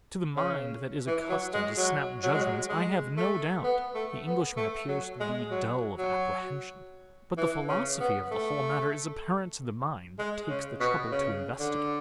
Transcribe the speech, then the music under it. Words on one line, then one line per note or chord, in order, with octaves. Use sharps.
To the mind that is accustomed to snap judgments I have no doubt the Englishman appears to be dull of apprehension, but the philosophy of the whole matter is apparent to the mind that takes the trouble to investigate.
C#3
E3
F#3
G#3
F#3
F#3
G#3
F#3
G#3
A3
B3
A3
B3
A3
F#3
G#3
F#3
F#3
E3
C#3
B3
A3
G#3
C#3
B2
C#3
D3